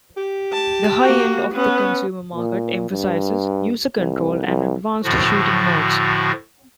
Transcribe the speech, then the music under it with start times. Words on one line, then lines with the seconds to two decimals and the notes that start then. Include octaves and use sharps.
The high end of the consumer market emphasizes user control and advanced shooting modes.
0.17 G4
0.53 A5
1.02 A#3 F#4
1.54 B3 C#4
2.35 A#2
2.90 G2
3.97 C2
4.47 C2
5.04 A2 D3 F3 F#4